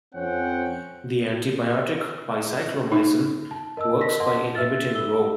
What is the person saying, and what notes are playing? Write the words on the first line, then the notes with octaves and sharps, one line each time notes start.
The antibiotic bicyclomycin works by inhibiting Rho.
F2 C4 C#4 C#5 F#5 G5
D#4
A5
A#4 D#5 A5 E6
A#4 B4 D#5 A#6 B6
D#5 F#5 A5 C6
B4 E5 E6 F6 A6
A4 E6 G7